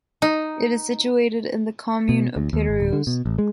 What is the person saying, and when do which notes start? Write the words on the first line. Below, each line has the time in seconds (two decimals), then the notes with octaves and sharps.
It is situated in the commune of Pérouse.
0.22 D#4
2.09 B2
2.36 D2
2.53 D#2
2.69 G#1
2.80 D1
2.93 D3
3.07 B2
3.26 A1
3.38 G#3